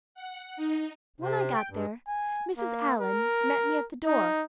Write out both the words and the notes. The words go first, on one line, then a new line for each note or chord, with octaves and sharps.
When I got there Mrs. Allan met me at the door.
F#5
D#4
C3
G5
G2
G#5
A#3
A#4
D#4